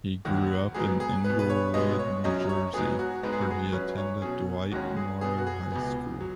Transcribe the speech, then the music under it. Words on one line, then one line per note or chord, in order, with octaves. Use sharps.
He grew up in Englewood, New Jersey, where he attended Dwight Morrow High School.
D#2 D#3 F#3 F#4
G#2 F#3 B3 G#4
G#4
B2 B3 B4
B4
C#5
B2 G#3 B3 D#5
C#5
F#2 F#3 C#4 D#5
C#5
G#2 F#3 B3 G#4
F#4
G#2 G#3 B3 B4
G#4
F#4
G#4
F#2 F#3 C#4 B4
C#5
B2 F#3 C#4 G#4
D#2 D#3 G#3 C#4 F#4
G#4
B2 B3 G#4
F#4
G#4
C#2 B2 B3
F#3